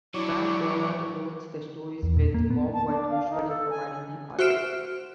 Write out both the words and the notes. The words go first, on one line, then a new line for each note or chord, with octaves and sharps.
Frank Doyle wrote the stories, with Bob White usually providing the art.
F#3 D4 E4 C#5 D5
E2
A#2
A#3
B3
A5
D4
F5
D#4
A4
G#5
F#4 C5 E5 F6 D7 E7